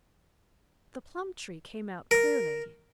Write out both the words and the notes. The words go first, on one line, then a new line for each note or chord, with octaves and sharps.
The plum tree came out clearly.
A#4